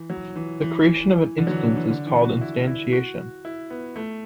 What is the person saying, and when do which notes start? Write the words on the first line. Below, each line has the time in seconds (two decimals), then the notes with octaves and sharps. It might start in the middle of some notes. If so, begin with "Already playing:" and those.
The creation of an instance is called instantiation.
Already playing: E3
0.10 F#3
0.36 E3
0.61 E3
0.87 E3
1.38 D3
1.47 F#3
1.51 E3
1.64 D3
1.77 E3
1.90 D3
2.07 E3
2.24 F#4
2.41 E4
2.67 E4
2.93 F#4
3.45 E4
3.70 B3
3.96 A3